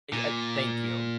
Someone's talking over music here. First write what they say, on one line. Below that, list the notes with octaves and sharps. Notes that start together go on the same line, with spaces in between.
eh, uh, thank you.
A#2